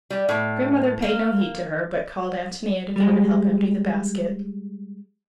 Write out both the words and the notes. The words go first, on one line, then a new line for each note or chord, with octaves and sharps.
Grandmother paid no heed to her, but called Antonia to come and help empty the basket.
G3
A2
A#3
G3 G#3